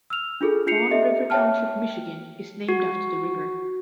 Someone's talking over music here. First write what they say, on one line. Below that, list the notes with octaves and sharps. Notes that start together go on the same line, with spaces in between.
Fawn River Township, Michigan is named after the river.
E6 F6 F7
D4 F4 G#4 A4
D4 F4 C7 C#7 F7
G4 A4 D#5 E5
C#5 E5 G5 A5 F6
F#4